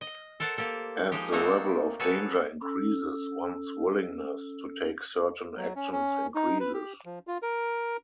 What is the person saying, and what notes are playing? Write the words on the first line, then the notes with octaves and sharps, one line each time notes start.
As the level of danger increases, one's willingness to take certain actions increases.
D#5
A4 A#4 C5 F#5 A5
A#3 G4 A4
F3 G#3 D#4 G4
A3 A#3 C4 D#4 F#4 A4
F#4 G#4 A4 B4 C#5
C#4 A4 E6
F#3
C#4
C#4
D#4
B4
G4
F3
F4
A#4